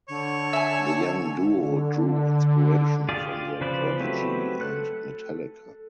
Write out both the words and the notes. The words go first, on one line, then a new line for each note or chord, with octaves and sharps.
The young duo drew inspiration from The Prodigy and Metallica.
D3 C#5
E5 G#5
D3
F4 G4 G#4 D5
C#3 F3 B4 C5 D5
F#3 A3 C4 G4 B4
A4 F#6